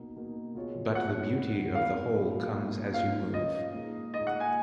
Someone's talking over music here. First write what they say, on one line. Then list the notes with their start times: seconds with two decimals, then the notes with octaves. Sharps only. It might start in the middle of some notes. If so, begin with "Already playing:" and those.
But the beauty of the whole comes as you move.
Already playing: B2 A#3 D#4
0.16 B2 A#3 D#4
0.55 B2 A#3 F4 G#4 C#5
0.95 B2 A#3 F4 G#4 C#5 F#5
1.35 D#3 G#3 B3
1.75 D#3 G#3 B3 F5
2.14 A#2 F#3 B3
2.55 A#2 F#3 B3
2.94 A#3 C#4 F4 B4 F5
3.34 A#3 C#4 F4 B4 D#5
3.74 A#2 G#3 D#4
4.14 A#2 G#3 D#4 D#5
4.27 F#5
4.40 G#5